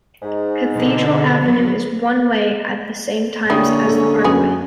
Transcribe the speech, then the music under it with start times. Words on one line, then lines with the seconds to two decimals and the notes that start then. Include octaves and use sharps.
Cathedral Avenue is one-way at the same times as the parkway.
0.23 G#2
0.73 B2 D3
1.39 F#3 B3
3.50 D3 G3 A#3 C#4 E4 D#6
3.87 D3 A4
4.24 F#2 B3 G#4